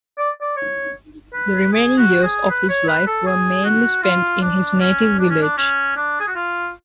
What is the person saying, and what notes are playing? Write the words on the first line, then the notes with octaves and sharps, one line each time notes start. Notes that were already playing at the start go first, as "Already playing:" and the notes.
The remaining years of his life were mainly spent in his native village.
D5
D5
C#5
B4
G#4
F#4
G#4
B4
C#5
B4
A4
G#4
F#4
F4
D4
C#4
D4
C#4
D4
C#4
D4
G#4
F#4
F4